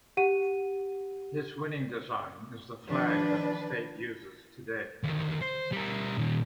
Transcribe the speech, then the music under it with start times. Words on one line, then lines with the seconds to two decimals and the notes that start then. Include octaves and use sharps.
His winning design is the flag that the state uses today.
0.17 G4 F#5 D#7
2.86 D#3 F3 D4 B4
5.04 D2 D#3
5.41 C5
5.72 G3 A#4
6.18 A#2 D#3